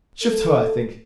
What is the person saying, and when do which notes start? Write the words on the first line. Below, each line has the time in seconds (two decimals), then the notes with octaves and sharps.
'Shift ho, I think.
0.23 A4